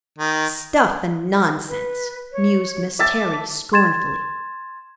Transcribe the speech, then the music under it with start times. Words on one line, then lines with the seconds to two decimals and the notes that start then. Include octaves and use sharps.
"Stuff and nonsense!" mused Miss Terry scornfully.
0.18 D#3
1.68 B4
2.32 C#5
2.99 E5 A5 D6
3.73 C6 G#6 A6 E7